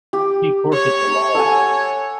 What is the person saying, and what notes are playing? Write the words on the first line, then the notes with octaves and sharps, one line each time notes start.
He courted them all.
G4
C#5
A4 F#5 G#5